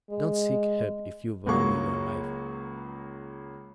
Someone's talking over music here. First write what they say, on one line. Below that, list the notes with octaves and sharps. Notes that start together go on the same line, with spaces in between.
"Don't seek help if you value your life."
G#3
C#2 F#3 A#3 C#6